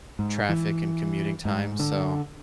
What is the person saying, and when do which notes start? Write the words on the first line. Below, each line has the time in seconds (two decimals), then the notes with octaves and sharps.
traffic and commuting time, so
0.19 G#2
0.49 E3
1.45 G#2
1.80 D3